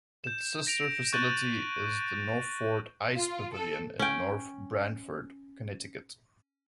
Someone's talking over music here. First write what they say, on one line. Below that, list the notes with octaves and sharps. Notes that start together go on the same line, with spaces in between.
Its sister facility is the Northford Ice Pavilion in North Branford, Connecticut.
G6 E7
A#6 D7 F7
C#6 F#6 G6 A6 D#7 F#7
F4
A4
C#4 G5